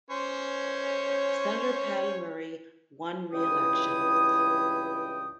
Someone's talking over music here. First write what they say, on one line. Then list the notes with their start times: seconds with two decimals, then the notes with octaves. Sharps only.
Senator Patty Murray won re-election.
0.10 C#4 C5 C#5
3.33 C#2 G2 E3 E4 G5 D#6